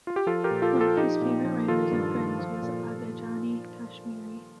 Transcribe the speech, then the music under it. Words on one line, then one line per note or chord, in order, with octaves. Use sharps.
One of his favourite writers and friends was Aghajani Kashmeri.
F4
G4
F3 F4 A4
G4 A#4
A#2
F4 A4
F3
F4 A4
F3 D#4 G4
A#2
F3
D#3 F4 A4
G2
D#3
F3
A#2
F3